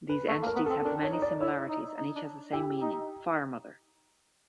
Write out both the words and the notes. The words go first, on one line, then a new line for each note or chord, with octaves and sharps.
These entities have many similarities, and each has the same meaning, fire mother.
B4
A3 A4
A#3
A#4
B3
C4 A4
D4 A#4
C#5
D#4
D5
E4 C#5
D#4
D#4
D4
E4 G4
D#4